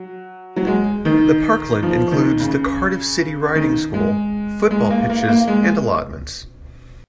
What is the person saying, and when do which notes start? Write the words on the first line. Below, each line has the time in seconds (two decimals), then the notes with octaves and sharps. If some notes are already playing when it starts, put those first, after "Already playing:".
The parkland includes the Cardiff City Riding School, football pitches and allotments.
Already playing: F#3
0.56 F#3
0.67 G#3
1.05 D#3
1.83 F3
2.11 D#3
2.40 C#3
3.55 D#3
3.94 G#3
4.71 G#3
4.90 A#3
5.10 A#3
5.29 A#3
5.47 G#3